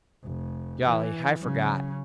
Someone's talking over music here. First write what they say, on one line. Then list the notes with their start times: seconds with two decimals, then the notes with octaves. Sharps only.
Golly, I forgot.
0.24 F1
0.85 E3
1.38 C#3 F#3